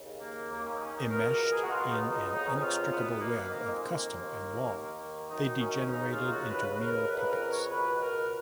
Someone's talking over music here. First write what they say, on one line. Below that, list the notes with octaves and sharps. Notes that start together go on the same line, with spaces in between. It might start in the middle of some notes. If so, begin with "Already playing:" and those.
Enmeshed in an inextricable web of custom and law, they degenerated into mere puppets.
Already playing: D#2 C#3
A#3
D#2 D#3 A#3
C#4
D#4
C#4
D#4
C#2 B2 A#4
A#4
G#4
F#4
C#2 B2 F4
D#4
D#4
F2 C#3 D#4
B3
C#4
D#4
F4
F#2 D#3 B3
A#3
F2 D#3 A#3
G#3
A#3
D#2 D#3
D#2 D#3
F#2 D#3 D#4
C#4
D#2 C#3 D#4
F4
F#4
D#2 C#3 B4
A#4
F2 C#3 B4
A#4
C#5
C#2 B2 B4
A#4